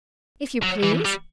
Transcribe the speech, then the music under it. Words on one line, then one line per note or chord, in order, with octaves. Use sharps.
"If you please."
F#3
E3
G3